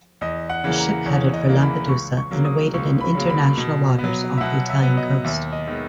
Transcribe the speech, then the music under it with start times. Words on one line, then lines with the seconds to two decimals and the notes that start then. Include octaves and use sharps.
The ship headed for Lampedusa and awaited in international waters off the Italian coast.
0.21 E2 D#5
0.50 F#5
0.64 C#3 E3 A#3
0.78 A#5
1.06 E2 C#5
1.33 D#5
1.47 C#3 E3 A#3
1.62 B5
1.89 C#2 C#6
2.17 C#6
2.31 C#3 F#3 A#3
2.45 D#6
2.74 C#2 C#6
3.01 B5
3.15 C#3 F#3 A#3
3.30 B5
3.58 B2
3.98 B3
4.04 F#3
4.37 E5
4.41 B2 F#5
4.69 E5
4.82 B3
4.88 F#3
4.97 D#5
5.24 D#2 E5
5.53 D#5
5.67 D#3 G#3 B3